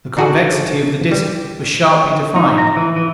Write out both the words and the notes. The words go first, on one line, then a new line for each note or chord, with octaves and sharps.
The convexity of the disc was sharply defined.
D4 D#4 F#4 G#4 A4 D5
G3
D#4
A#5
E3
E3